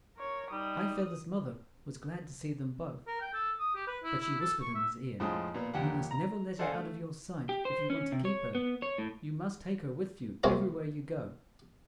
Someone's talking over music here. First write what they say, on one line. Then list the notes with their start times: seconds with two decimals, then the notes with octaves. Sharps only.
High-feather's mother was glad to see them both; but she whispered in his ear: "You must never let her out of your sight if you want to keep her; you must take her with you everywhere you go."
0.17 A#4 C#5
0.52 G3 D#4 D#6
3.07 A#4
3.21 G5
3.33 A4
3.59 D#6
3.75 G4
3.87 B4
4.03 E4
4.19 E4
4.40 A4
4.61 C#6
4.75 E5
5.20 F2 A2 F3 G#3 D#6
5.54 A#2 B3 B4
5.74 A#1 D#2 G4 F#5
6.11 A#5
6.59 A4 C5 D5 F5 F#5 G#5
6.74 A3
7.49 G4
7.65 C5
7.90 C#4
8.12 C3
8.25 C#5
8.55 B3
8.82 C#5
8.98 A2
10.44 C3 G#3 A#3 C4 E4 F#4